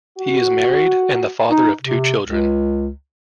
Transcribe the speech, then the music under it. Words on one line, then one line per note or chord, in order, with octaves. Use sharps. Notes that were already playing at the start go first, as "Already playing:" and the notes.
He is married and the father of two children.
F#4
D#4
C3
C#2